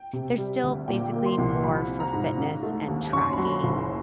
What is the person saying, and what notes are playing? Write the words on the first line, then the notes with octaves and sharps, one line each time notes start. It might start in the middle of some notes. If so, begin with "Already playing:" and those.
they're still basically more for fitness and tracking.
Already playing: G5
C3
G3
D2
A#2 G5
A#3
C6
C2
F3 B5
C4
A#5
G#2
C#3
A3
D#2
F#2 C#6
C6
F#3 B5
C6
F#1